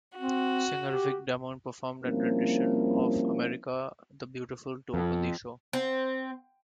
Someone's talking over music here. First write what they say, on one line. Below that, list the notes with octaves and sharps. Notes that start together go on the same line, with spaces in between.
Singer Vic Damone performed an rendition of "America the Beautiful" to open the show.
C4 F#4
G4
F3 G3 A#3 C4 C#4 E4
F2
C4